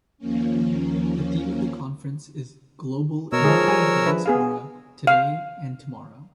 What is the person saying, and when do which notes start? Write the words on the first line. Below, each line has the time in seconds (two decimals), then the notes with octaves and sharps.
The theme of the conference is "Global Indian Diaspora: Today and Tomorrow".
0.18 D#2 F3 A#3 C#4
3.32 B2 A#4 C#5 E6
3.44 F3 G#3 D#4 G#4
3.68 G3 G#5
4.06 D4 B4 E5
4.26 B3 G#4 F5
5.07 F5